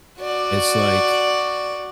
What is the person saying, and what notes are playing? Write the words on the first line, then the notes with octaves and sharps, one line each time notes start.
it's like,
F#4 D5